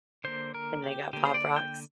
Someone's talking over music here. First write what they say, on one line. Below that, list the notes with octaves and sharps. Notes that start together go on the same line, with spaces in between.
And they got Pop Rocks.
D3 A#3 C5
A#4
G4
D3 A#3 G4
C5
D5
G5